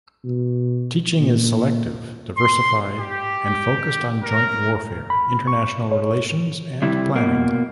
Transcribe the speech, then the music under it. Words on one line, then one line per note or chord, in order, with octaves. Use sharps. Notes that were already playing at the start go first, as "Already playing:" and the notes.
Teaching is selective, diversified, and focused on joint warfare, international relations, and planning.
B2
A#2
C6
G4
A#4
B5
C#6
C#5
C3 G3 E4
B2 A#3